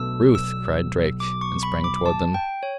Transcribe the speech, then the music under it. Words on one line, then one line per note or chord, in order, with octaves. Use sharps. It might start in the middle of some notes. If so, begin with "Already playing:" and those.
"Ruth!" cried Drake--and sprang toward them.
Already playing: B1 B2 A3 D4 E6
E6
D6
C#6
B5
D6
A5
G5
C#5